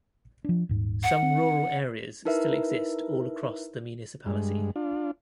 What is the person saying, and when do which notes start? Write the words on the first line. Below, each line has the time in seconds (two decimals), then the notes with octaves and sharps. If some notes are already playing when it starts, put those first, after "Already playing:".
Some rural areas still exist all across the municipality.
0.44 F3 D4
0.69 D#1 G#2
1.04 F#5
1.23 C4
2.25 D#4 E4 A#4 B4 E5
4.26 G2 G#3
4.76 D4 F4